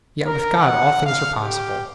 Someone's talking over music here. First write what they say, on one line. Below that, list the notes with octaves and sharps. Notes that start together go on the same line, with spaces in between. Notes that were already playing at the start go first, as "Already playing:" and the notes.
Yet with God all things are possible.
A#4
F#5
F5
G4